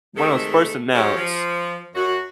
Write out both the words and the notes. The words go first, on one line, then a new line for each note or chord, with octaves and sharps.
when it was first announced
C3 D#3 G#3 A3 A4
F#3 G#3 C4 C#4 G4
F3
F#2 F#4